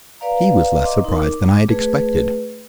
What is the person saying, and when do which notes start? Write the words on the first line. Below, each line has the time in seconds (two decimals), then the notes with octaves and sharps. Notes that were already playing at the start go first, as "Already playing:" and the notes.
He was less surprised than I had expected.
0.21 B4 D5 F5 A#5
0.82 D#5 C6 D6
1.05 D#4 A#4
1.22 D6
1.68 A3 G#4 B4